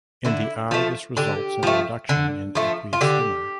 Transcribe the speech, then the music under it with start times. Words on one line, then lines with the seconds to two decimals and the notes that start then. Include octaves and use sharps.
In the eye this results in a reduction in aqueous humour.
0.25 D3 E4
0.71 F3 A3
1.17 D3 G4
1.63 F3 A3
2.09 D3
2.55 F3 A3
2.93 F4
3.01 D3 G4